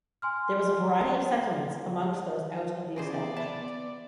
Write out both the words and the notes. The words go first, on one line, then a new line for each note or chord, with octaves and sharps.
There was a variety of sentiments amongst those out of the establishment.
G#5 C6 F6
E3 B3 C#4 F4 G#4 C5 D5
E5 A5 B5 C6